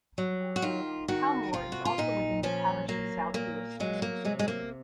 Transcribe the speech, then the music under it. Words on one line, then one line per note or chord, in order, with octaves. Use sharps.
Howmore is also within the parish of South Uist.
F#3
F#4
D#3 F4
D#3 F#4
C3 F4
F#4
F4
A#2 D#4
F3 C#4
F#3 A#3
A#2 A#3
F#3 G#3
A#3
C3 G#3
G#3
A#3